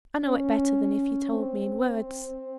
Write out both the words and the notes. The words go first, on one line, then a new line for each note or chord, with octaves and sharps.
I know it better than if you told me in words.
C#4
C4